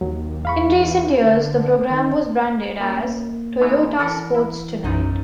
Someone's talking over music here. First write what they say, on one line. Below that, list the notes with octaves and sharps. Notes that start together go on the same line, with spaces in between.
In recent years the program was branded as "Toyota Sports Tonight".
D#2 F#3
E2 F5 B5 C#6
D3
D#3
F#2 A#3
G#2 E3
E3 A4 A#4 D5 F#5 B5
E4
B1 F#2 D#4